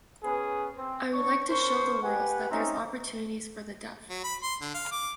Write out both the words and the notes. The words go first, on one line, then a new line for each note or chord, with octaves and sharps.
I would like to show the world that there's opportunities for the deaf.
B3 C#4 G#4 B4
C4
D4 C#5 C#6
C#4 A#4 C5 C#6
G4 B4 F#5 G#5
C4 C#4 D#4 E5 A#5
F#3
B5
C6
D3
F5
D6